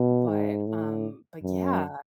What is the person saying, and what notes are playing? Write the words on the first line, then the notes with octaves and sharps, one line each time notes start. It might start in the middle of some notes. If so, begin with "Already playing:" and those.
But, um, but, yeah.
Already playing: B2
G#2
A2
F#2